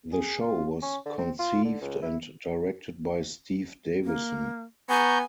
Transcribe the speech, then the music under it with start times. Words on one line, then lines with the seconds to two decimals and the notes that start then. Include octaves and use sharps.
The show was conceived and directed by Steve Davison.
0.12 G#4
0.41 F4
0.82 C#4
1.06 D3
1.18 C4
1.39 F4
1.64 D3
1.81 C#2
2.02 E4
4.04 A#3
4.89 B3 G#5 A#5 C#6 G6